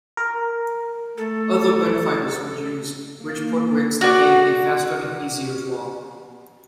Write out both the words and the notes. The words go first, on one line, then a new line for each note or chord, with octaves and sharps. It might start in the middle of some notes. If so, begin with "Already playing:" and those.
Other gunfighters would use Bridgeport rigs that gave a faster and easier draw.
A#4
A3 A4
A#3
F#4 D5